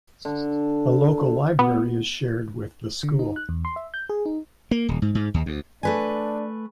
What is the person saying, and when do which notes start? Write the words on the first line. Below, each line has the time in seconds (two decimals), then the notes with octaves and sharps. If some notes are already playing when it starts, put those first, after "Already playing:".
A local library is shared with the school.
0.25 D3
1.59 B3
3.03 D3
3.19 D#4
3.36 F#6
3.49 E2
3.65 C6
3.76 E5
3.94 G6
4.09 G#4
4.26 D#4
4.71 A#3
4.89 D#1
5.02 G#2
5.15 G#2
5.34 D#2
5.46 D2
5.83 A3 D4 B4 G#5